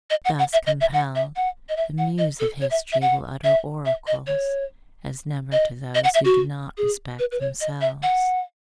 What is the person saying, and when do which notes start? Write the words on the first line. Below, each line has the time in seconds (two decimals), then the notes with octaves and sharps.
Thus compelled, the Muse of history will utter oracles, as never to those who do not respect themselves.
0.10 D#5
0.25 F#5
0.39 F#5
0.53 E5
0.67 D#5
0.81 E5
0.94 F#5
1.15 E5
1.36 F#5
1.69 D#5
1.77 E5
1.98 F#5
2.18 D#5
2.40 A4
2.61 C#5
2.71 E5
2.92 E5
3.02 F#5
3.44 E5
3.86 E5
4.07 D#5
4.27 C#5
5.52 D#5
5.95 D#5
6.04 F#5
6.14 E5
6.25 F#4
6.78 G#4
7.19 B4
7.32 B4
7.41 C#5
7.61 D#5
7.81 E5
8.03 F#5